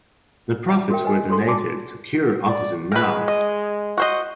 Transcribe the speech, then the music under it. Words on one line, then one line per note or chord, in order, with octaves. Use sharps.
The profits were donated to Cure Autism Now.
D5 E5 A5
F#4 A#4 E5 G5
B4 D#5 G#5
E4 F#4 A4 C6
D5 G#5 A5 C6 D6
D5
G#3 A#4 B4
D#5
F#4 C5 D#5